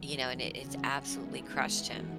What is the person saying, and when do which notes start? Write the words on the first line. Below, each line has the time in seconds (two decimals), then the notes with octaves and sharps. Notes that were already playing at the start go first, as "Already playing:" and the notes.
You know, and it it's absolutely crushed him
Already playing: E2 D#3 F#3
0.46 C#3 F#3 C#4 F#4
1.13 D#3 G#3 B3 E4
1.81 F#2 E3 A3 D#4 F#4